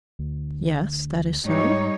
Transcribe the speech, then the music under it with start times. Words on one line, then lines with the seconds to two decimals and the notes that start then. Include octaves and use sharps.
"Yes, that is so."
0.19 D2
1.45 G#2 G3 D#4 C#5